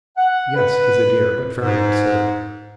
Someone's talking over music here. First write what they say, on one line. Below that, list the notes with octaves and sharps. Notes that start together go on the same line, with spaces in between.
"Yes, he's a dear, but very absurd."
F#5
B4
G#2